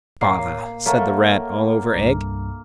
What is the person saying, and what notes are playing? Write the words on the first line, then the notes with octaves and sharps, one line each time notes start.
'Bother!' said the Rat, all over egg.
A2 A#3 C#5 C7
A3 A#3 A#4 C#5 F#5 A5
C2 G2